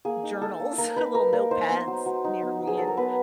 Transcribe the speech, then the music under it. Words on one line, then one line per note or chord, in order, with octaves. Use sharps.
journals, little notepads near me and
A#3 G#4
D#4
D#4 A4
A#3
A#3 A#4
D#4 B4
D#4 A#4
A#3 A#4
D#4 C5
B3
F#3
F#3
D#4
B3
F#3
G#4
F#3 A4
A#4
B3 B4